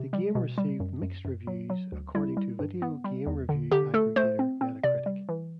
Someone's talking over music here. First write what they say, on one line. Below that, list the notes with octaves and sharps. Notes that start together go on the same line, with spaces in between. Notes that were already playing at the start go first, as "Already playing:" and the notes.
The game received "mixed" reviews according to video game review aggregator Metacritic.
Already playing: C3
G3
B2
G3
F#2
F#2
F#2
F#3
F#3
D2
G3 E4
G3
G2
B3
G3
E2
D3
D3 G4
A3 A4
A3 C5
C4
C4
C3 D5
G3
E3